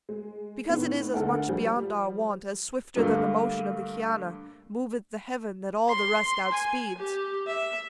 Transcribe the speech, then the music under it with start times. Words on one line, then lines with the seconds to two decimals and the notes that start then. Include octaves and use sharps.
Because it is as much beyond our wont, As swifter than the motion of the Chiana Moveth the heaven that all the rest outspeeds.
0.09 G#3
0.69 A2 D#3 B3
1.14 D2 D3 A4 A#4 F#5
1.48 F3 G3
2.96 G2 D3 A3 A#3
5.88 C6
6.52 G#5
6.98 G4
7.47 E5